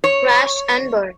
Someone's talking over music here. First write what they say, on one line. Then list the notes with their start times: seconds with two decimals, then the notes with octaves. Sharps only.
Crash and burn.
0.04 C#5